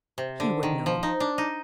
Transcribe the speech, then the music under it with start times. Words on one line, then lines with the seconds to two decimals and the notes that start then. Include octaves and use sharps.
He would know.
0.18 C3
0.40 D3
0.63 D#3
0.86 F3
1.03 D#4
1.20 D4
1.38 D#4